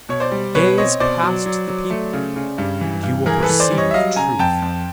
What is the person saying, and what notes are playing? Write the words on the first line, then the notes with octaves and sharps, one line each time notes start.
Gaze past the people, and you will perceive truth.
B2 C#5
C5 D5
G3
B2 B4 C#5
C4 C#5 D#5
B2 C5 D5
F#3
F#3
F#3
A3
C#3
C#3
G2
E3
G2
E3 G#4 A#4
A4 B4
E3
C5 D5
G3
C#5 D#5
E5
F#3 D#5 F5
C#3 G#5 A#5
F2 G5 A5
F2